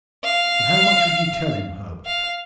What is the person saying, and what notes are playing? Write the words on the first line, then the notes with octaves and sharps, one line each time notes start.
"But how much would you tell him, Herbert?"
F5
F5